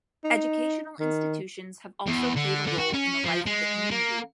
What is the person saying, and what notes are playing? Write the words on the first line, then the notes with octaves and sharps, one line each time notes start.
Educational institutions have also played a role in the life of the community.
D#4
D#3
E2
D3
D3
F#4
C#4
F3
G#3
A#3